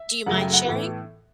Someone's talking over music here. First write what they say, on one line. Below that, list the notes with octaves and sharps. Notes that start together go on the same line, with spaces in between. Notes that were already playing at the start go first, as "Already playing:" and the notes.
do you mind sharing?
Already playing: E5
F#2 C#3 F#3 A3 F#5
G5
F#5
A2 E3 B3 F#5